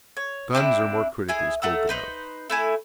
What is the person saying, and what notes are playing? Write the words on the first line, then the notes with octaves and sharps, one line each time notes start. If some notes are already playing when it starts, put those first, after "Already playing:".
Guns are more critically spoken of.
C#5
C4 D4 E4
E4 G#4 G#5
A3 F#5 A#5 E6
D#4 B4 C5
A3 E4 G#5